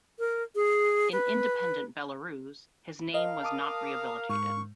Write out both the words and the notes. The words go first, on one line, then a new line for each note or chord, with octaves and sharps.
In independent Belarus, his name was not rehabilitated.
A#4
G#4
B4
A#4 D#5 F5
A5 D6 D#6
G#2 C#6